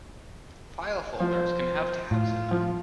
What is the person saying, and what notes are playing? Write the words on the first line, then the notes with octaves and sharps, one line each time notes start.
File folders can have tabs in them.
F3 C5
A2 F4
F3